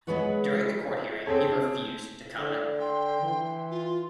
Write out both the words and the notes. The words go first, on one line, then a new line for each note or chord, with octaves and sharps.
During the court hearing he refused to comment.
G#3 B3 G#4 B4 C#5 F#5
C4 G#4 A4 C#5
D3
G5 C6
E3
F4